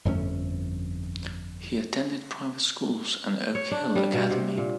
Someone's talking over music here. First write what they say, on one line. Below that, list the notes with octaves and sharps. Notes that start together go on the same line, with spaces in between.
He attended private schools and Oak Hill Academy.
G1 F2 A3 C#4
C#5
D4
G3
B2
C3
A#2